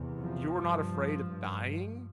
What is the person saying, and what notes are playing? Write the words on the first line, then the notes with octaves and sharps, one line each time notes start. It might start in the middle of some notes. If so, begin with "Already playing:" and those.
you're not afraid of dying,
Already playing: E2 C3
F3
G2
G2